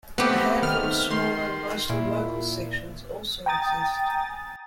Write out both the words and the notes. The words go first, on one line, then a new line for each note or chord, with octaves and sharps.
A handful of smaller, mostly local sections also exist.
A3 B3 C4 G4 B4
D#3 F6
D#3 C6
A#2 E4
G5 G#5 A#5 D#6 A6